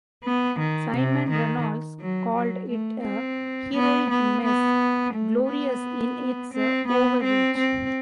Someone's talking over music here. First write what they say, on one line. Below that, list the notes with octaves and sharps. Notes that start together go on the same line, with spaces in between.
Simon Reynolds called it a heroic mess, glorious in its overreach.
B3
D#3
C3
D#3
F#3
F#3
A3
C4
B3
B3
B3
A3
B3
C4
B3
C4
C4